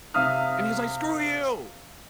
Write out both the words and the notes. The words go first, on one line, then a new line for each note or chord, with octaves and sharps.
And he's, like, "Screw you!"
C3 E5 F5 D#6 F6